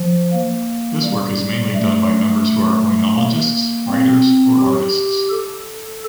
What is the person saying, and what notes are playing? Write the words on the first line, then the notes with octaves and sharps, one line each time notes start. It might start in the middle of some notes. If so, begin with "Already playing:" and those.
This work is mainly done by members who are oenologists, writers or artists.
Already playing: F3
A#3
G3
A3
A#3
C4
G4
A4